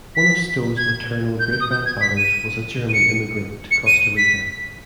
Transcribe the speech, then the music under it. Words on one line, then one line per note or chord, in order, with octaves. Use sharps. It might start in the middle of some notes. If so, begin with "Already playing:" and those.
One of Stowe's maternal great-grandfathers was a German immigrant to Costa Rica.
B6
G#6
G6
G6
D#6
G6
G#6
B6
D#7
D#7
C#7
C#7
D#7
B6